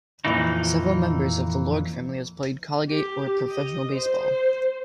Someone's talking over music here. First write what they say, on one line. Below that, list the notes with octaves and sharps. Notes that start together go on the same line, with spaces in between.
Several members of the Iorg family have played collegiate or professional baseball.
F2 A#2 E3 D#4
G4
D#5
C5